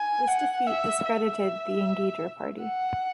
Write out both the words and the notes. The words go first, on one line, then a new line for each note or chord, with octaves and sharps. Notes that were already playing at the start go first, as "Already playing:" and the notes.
This defeat discredited the Engager party.
Already playing: G#5
F#5
E5
E5
F#5